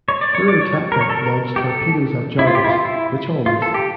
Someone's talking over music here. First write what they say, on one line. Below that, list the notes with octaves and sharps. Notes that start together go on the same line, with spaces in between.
"Furutaka" launched torpedoes at "Jarvis", which all missed.
C#5
D5
C#5
D5
C#5
A#4
C#5
A4
A#4
G4
A4
E4
F4
G4
E4
F4
E4
F4
A4
G4